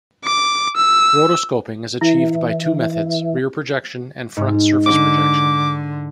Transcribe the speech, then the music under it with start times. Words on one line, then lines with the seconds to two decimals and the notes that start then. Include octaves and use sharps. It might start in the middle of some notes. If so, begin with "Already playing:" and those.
Rotoscoping is achieved by two methods, rear projection and front surface projection.
0.24 D6
0.77 E6
2.01 E3 E4
4.37 G#2
4.86 D3 D6